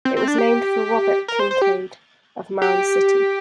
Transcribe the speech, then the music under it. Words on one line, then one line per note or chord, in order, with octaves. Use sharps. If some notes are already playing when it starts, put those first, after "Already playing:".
It was named for Robert Kincaid, of Mound City.
C4
C4
D4
G4
A#4
C5
C5
G4
G4